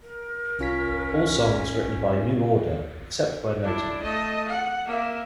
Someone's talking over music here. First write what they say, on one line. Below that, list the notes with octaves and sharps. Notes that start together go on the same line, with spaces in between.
All songs written by New Order, except where noted.
A#4
C2 C#4 F4 B6
D4 E4
A3 D#5
F#5
A#3 E5